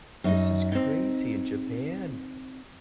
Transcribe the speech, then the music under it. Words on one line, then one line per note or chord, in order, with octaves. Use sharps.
This is crazy! In Japan?
F#2 D#4
C4 D#4